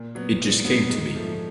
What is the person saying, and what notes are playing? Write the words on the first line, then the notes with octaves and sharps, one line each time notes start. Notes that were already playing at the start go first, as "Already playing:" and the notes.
It just came to me.
Already playing: A#2
F#3 B3
A#2
F#3 B3
G#2
F3 A3